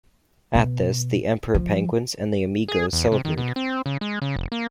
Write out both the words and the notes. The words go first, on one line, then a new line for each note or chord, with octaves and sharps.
At this, the emperor penguins and the Amigos celebrate.
B2
F3
G#4
E2
C3
D#3
B2
C4
C#3
G#3
C#3
F1
A#3